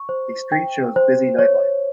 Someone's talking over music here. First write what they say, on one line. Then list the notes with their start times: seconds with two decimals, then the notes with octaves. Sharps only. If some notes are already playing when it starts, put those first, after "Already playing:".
A street shows busy night life.
Already playing: C#6
0.09 C5
0.52 G5
0.96 C5
1.39 C#5